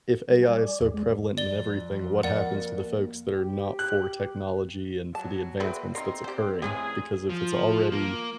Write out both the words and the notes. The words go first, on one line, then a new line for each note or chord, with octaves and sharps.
if AI is so prevalent in everything, what happens to the folks that are not for technology and for the advancements that's occurring? Because if it's already,
G3
G#5
D5
E2
G#3
F2 D5 G7
A#3 D5 F#5
G4
F#6
F#3 A5
C4 G#4 B4 D5 E5
C4 D#4 A#4 A#5 C6 C7
G4 C5 D5
F1 E3 C#4 G#4 B4
F3
A#3